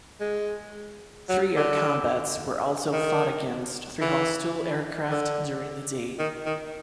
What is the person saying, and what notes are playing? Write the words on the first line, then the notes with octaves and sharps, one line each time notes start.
Three air combats were also fought against three hostile aircraft during the day.
G#3
F#3
D3
D#3
E3
D3
D#3
D#3